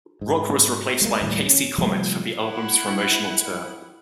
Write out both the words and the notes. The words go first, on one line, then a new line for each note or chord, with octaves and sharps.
Rock was replaced by K. C. Comet for the album's promotional tour.
G#2
G#3 A#3
D#2 A2 G3
C#4
C3 F3 G3 A3
E4 F#5